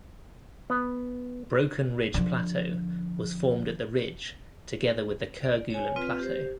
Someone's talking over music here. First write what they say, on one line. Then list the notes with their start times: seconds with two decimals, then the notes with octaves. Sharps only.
Broken Ridge Plateau was formed at the ridge together with the Kerguelen Plateau.
0.70 B3
2.14 D3 F3
5.43 D5
5.70 C#5 G#5
5.96 C4 F4 B4
6.19 G4 C5